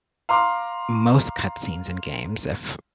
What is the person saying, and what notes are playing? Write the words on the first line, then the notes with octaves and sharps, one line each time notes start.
Most cut scenes in games, if
F5 A#5 C6 D6